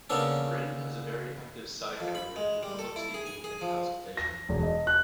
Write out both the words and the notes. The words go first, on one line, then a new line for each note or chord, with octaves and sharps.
Brin has a very active side career in public speaking and consultation.
C#3 A#3 B3 C#4 D4 A4
F2
B5
G#3
G3
A4
E4
G#4
G#5
G#4
F3
A#6
E1
D#5
F#6